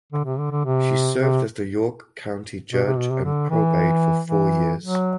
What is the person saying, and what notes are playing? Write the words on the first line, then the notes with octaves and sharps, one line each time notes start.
She served as the York County Judge of Probate for four years.
D3
C3
D3
D3
C3
C3
B2
C3
B2
C3
D3
E3
E3
F#3